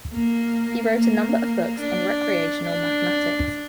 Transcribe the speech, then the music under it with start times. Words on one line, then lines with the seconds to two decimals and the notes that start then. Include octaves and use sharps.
He wrote a number of books on recreational mathematics.
0.13 A#3
0.96 A#3
1.81 D4
2.64 D4